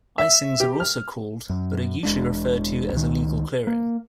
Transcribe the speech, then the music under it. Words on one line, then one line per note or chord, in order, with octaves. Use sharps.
Icings are also called, but are usually referred to as illegal clearing.
E5
G4
F6
F#2
E1 G#3 D4
C#2 D#3
A#3